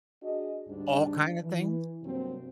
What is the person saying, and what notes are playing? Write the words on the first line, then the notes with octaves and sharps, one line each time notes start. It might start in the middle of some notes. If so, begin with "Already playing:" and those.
all kinda things?
D4 F#4 G#4 D#5
D2 G#2 G3 D4
E3
G2 C3 F#3 A#3 C4